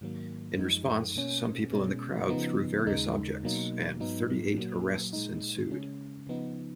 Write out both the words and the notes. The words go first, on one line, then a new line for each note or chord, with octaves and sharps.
In response, some people in the crowd threw various objects, and thirty-eight arrests ensued.
G#2 D#3 F#3 A#3
F#2 F3 G#3 D#4
B2 A#3 C#4
B2 G#3 C#4
C#3 F3 B3 D#4
D#2 C#3 G#3 D#4
B2 F#3 A#3 D#4
G#2 F#3 B3 D#4
A#2 F#3 A#3
A#2 G#3 D#4
C#3 G#3 C#4
C#3 F3 B3 D#4